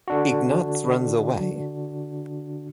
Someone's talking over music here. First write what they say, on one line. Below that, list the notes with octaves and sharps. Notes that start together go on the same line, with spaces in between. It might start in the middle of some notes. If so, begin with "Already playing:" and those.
Ignatz runs away.
D3 D4 F#4